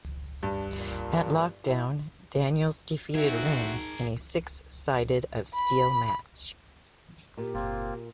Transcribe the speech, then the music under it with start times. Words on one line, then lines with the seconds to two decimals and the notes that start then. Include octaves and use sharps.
At Lockdown, Daniels defeated Lynn in a Six Sides of Steel match.
0.43 G2 D4
0.77 A#2
1.64 E4
3.15 C4 D#4 F#4 G#4 A#4 E5
5.52 B5
7.37 A#2 G4
7.54 F#1 G#2 A#3 C4 F4